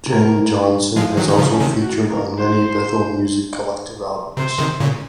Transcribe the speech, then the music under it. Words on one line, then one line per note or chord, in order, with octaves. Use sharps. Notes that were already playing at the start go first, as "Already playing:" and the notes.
Jenn Johnson has also featured on many Bethel Music collective albums.
A#4
F3 G#3 F4
D#3 F#3
C#4
D#3
C#3 F3
C#4
C3 D#3
F#4
A#4
C5
C3 C5
C3 D#3
A#2 C#3